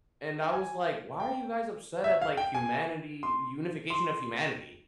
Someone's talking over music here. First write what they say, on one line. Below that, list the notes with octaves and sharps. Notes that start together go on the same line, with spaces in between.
and I was, like, "Why are you guys upset at like humanity, unification of humanity?"
G#5
G5
E5
F5
G5
G#5
C6
C6